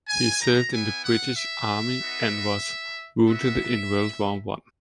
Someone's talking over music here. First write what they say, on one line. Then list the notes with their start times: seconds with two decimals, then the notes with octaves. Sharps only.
He served in the British Army and was wounded in World War One.
0.08 G#5
0.41 A#5
0.72 B3 E4 G#5
1.04 F#5
1.36 E5
2.00 B3 D#4 F#4
3.27 B3 F#4 E5